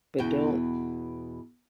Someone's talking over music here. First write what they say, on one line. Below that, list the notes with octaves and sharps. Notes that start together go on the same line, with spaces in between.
but don't
E2 B2 G5